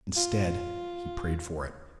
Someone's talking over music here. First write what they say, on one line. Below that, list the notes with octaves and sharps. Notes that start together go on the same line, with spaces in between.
Instead he prayed for it.
F4